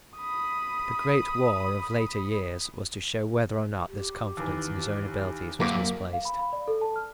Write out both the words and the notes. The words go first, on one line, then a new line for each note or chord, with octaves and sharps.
The Great War of later years was to show whether or not this confidence in his own abilities was misplaced.
B5 D#6
G4
D#2 E3
F#2 A#3 D6
F5
B5
B5
D5
A4
A5
F6